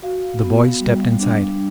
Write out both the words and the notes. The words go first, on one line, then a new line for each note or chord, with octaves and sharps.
The boys stepped inside.
F#4 F5
B3
G3
D4